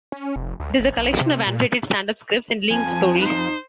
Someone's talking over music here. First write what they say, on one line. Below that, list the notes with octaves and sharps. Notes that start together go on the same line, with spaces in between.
It is a collection of annotated stand-up scripts and linked stories.
C#4
F1
D2
G#1
B1
C3
A#2
F2 F3 G#5 A5
D#4 C5